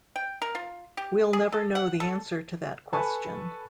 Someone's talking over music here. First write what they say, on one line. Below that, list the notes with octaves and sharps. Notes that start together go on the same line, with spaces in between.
We'll never know the answer to that question.
G5
A#4
F4
G4
G#4
A4
F#5
A4
A4 B4 G#5 A5 B5 C#6